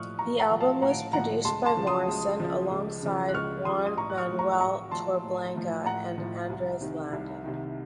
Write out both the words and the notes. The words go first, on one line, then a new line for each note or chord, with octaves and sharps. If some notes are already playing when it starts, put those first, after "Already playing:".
The album was produced by Morrison alongside Juan Manuel Torreblanca and Andres Landon.
Already playing: A1 A2 F3 C#6 D#6 F6 F#6
A1 A#5 C#6
F#5 A#5
A2 F3
F5 A5
A1 F#5 A#5
A2 F3 F#5 A#5
C#2 A5 C6
A5 C6
C#3 F3
C6 D#6
C#2
C#3 F3
C#2
C#3 F3
F#6
C#2 C#6 F6
C#3 F3 C6 D#6
D#6
A1 A#5 C#6
F#6
C#6 F6
A2 F3
A#5 C#6
A1 A#5 C#6
A2 F3 A5 C6
A1
A2 F3
A1 F#5 A#5
A2 F3
C2
C3 D#3
C2
C3 D#3